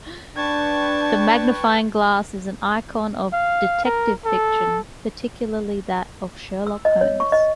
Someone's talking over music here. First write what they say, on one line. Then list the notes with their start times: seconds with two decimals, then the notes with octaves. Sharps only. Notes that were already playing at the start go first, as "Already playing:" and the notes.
The magnifying glass is an icon of detective fiction, particularly that of Sherlock Holmes.
0.37 D4 B4 G5 A5 C#6 G#6
3.33 F5
3.85 A#4
4.26 A4
6.67 E6
6.85 D#5
7.01 C#5
7.20 C#6
7.32 D#5